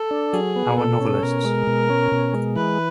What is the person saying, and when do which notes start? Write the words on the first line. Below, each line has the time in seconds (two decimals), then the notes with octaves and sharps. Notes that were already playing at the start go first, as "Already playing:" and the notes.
Our novelists.
Already playing: A4
0.11 D4
0.33 F#3 G#4
0.56 B3
0.78 B2 A4
1.00 C#4
1.23 B2 A#4
1.45 G#3
1.67 B2
1.90 C#4
2.12 B2
2.34 G#3
2.56 E3 B4